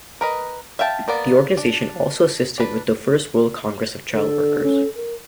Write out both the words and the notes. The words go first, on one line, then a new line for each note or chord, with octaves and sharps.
The organization also assisted with the First World Congress of Child Workers.
A#4 B4 D#5
E5 F5 G5 A5
A#3 B3 D5
D4
D4 B4
D3 A4
C#4
A#4